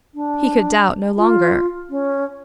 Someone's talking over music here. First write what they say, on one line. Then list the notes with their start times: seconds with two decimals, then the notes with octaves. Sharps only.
He could doubt no longer.
0.14 D4
1.17 F4
1.90 C#4